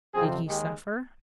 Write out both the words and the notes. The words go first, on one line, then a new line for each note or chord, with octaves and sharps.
Did he suffer?
F2 C3 F3 C4 G#4
D#2 D#3 G#3 G4